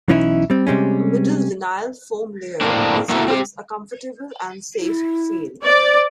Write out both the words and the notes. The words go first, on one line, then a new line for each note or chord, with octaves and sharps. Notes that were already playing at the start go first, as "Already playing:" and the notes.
A middle vinyl foam layer also gives a comfortable and safe feel.
B1 E3 C#4 D#4 E4
G3 C4
C3 G3 G#3 C#4
A2 A#3 C4 D4
A#3 E4 F#4 A4
C4 F4 G4
E4
C5 D5